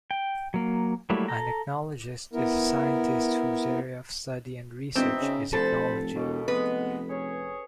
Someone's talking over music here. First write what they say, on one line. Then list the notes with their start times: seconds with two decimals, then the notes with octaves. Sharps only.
An ichnologist is a scientist whose area of study and research is ichnology.
0.11 G5
0.54 F#3 A#3
1.10 F#3 G3 A3 A#3 E4
1.28 A4 A#5
2.33 B3 E4 A#4
4.95 E1 B2 C4 D#4 E5
5.21 C#3
5.53 F1 D2 A4 C5 B5
6.14 E1 D#2 B2
6.48 F1 G#3 B3 B4
7.09 C#4 G#4 C#5